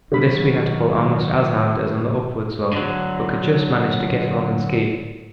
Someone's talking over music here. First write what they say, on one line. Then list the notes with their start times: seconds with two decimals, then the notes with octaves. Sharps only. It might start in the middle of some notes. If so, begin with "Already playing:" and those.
On this we had to pull almost as hard as on the upward slope, but could just manage to get along on ski.
0.12 D3 D#3 F#3 G3 B5
2.73 D3 F#3